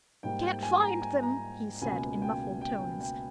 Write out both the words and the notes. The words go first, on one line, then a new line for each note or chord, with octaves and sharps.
"I can't find them!" he said in muffled tones.
G#2 G3 A#3 G5
G5
G#5
A#5
G#5
A#5
C#2 B2 A#3 G#5
G5
G5
G5
G5